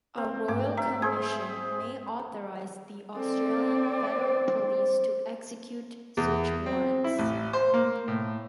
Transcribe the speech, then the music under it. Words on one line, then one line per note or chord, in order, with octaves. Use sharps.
A Royal Commission may authorise the Australian Federal Police to execute search warrants.
C4
G#2 A3 D6
E5 A#5
G#4 C5 G#6
C4 A4 D5
C5
E2
C4
E4
A1
C5
A#3
A2